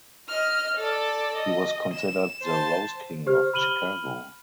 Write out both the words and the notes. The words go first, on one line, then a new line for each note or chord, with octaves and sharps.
He was considered the "Rose King" of Chicago.
D#5 F6
A4 D5
D#5
E7
C5 A5
G4 C5 F6
B5 F6 D#7 F#7 G7